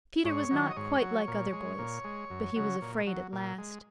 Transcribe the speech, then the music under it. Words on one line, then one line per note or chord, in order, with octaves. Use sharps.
Peter was not quite like other boys; but he was afraid at last.
G#2 C#5
D#3 F#3
D#5
G#2 C#5
F#3
A#2
G#3
A#2
G#3
F#2
C#3 F#3
A#2
F#3
A#2
G#3